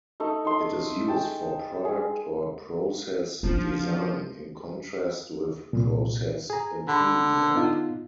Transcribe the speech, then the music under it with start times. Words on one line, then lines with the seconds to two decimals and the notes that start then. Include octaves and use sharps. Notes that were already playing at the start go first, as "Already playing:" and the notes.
It is used for product or process "design" in contrast with process "improvement".
0.20 A3 D#4
0.45 D#4 C6
1.08 G#4 G5 A5
1.85 G#4
3.43 F3 C4 D4
5.73 C2 A#2
6.50 G#4 A#5
6.88 D3 B5
7.55 B3 D#4 F4